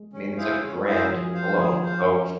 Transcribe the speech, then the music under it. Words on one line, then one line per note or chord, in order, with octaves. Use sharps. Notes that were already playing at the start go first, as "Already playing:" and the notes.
I mean, it's like a grand alone. So
Already playing: G#3
C#4
E4 G#4 C5 F5
C#4
E4 G#4 C5 F5
F#3
F3 G#4
C5 F5
F3 G#4
C5 F5
C#4